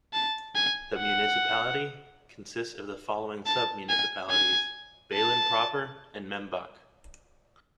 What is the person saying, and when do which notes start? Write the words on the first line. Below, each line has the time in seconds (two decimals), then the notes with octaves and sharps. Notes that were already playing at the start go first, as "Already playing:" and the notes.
The municipality consists of the following sub-municipalities: Baelen proper and Membach.
0.13 A5
0.56 G#5
0.97 F#5
3.47 A5
3.89 G#5
4.30 G#5
5.13 A5